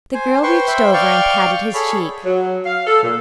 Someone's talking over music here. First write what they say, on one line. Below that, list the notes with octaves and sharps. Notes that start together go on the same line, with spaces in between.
The girl reached over and patted his cheek.
C5 G#5
B4 C5 G5 C6 C#6
C5 E5 G5 B5
D5 F5 G5 C#6
G#4 A4 C#5 B5
F#3
F5
A4
A#2